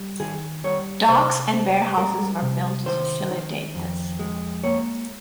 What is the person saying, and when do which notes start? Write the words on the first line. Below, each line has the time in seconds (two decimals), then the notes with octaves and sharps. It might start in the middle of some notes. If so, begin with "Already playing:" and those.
Docks and warehouses were built to facilitate this.
Already playing: G3
0.20 D#3 G#4
0.64 G3 C#5
1.09 C3 C5
1.53 C4
1.98 G3 A#4
2.42 C3
2.86 D#3 C5
3.31 D#3
3.75 F2
4.19 G#3
4.64 A#3 C#5